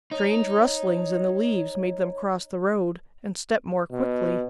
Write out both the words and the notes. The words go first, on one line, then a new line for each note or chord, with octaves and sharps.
Strange rustlings in the leaves made them cross the road, and step more quickly.
D#4 C#5
B2